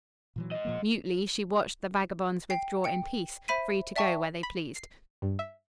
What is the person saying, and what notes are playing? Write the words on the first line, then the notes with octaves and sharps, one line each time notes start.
Mutely she watched the vagabonds withdraw in peace, free to go where they pleased.
A#2 E3 F#3
G#2 D#5
A#2 F3 A#3
G5 C7
G5 C#7
C5 E5 B5 B6 D#7
D5 E5 G5 A5 C#6
B5
C7
G2
E5